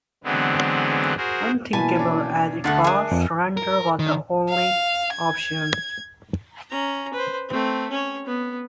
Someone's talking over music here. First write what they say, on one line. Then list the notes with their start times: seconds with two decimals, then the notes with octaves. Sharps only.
Unthinkable as it was, surrender was the only option.
0.24 D3 E3 F#3 G#3 B3 C4
1.17 F#4 G#4 A#4 C5
1.73 B2 E3 A#3 B4 G#5 A5
1.95 C#4 D4
2.64 D2 D3 A3 B3 F#5 A5
2.84 D4 G#4 A#4 E5 G#5
3.12 F2
3.57 A#4
3.99 D#3
4.49 F5
5.14 G#6
6.70 C#4 A#5
7.14 B4 C5
7.48 A3 C4
7.90 C#4 C#5
8.26 B3